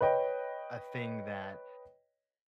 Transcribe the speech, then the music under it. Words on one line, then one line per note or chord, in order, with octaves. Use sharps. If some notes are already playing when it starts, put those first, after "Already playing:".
a thing that
B4 C#5 D#5 G5